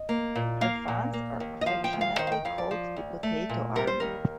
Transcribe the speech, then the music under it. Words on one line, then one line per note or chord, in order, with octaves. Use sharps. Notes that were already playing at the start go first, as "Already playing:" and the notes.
Her fans are affectionately called the Potato Army.
Already playing: D#5
A#3
A#2
A#3 F5
A#2
A#3
D#2
D#5
F3 F5
G5
D2
F5
D#3 C5
F5
G5
F2 F5
D5
F3
D2
A3
A#2
G3 A#4
C5
D#2 A#4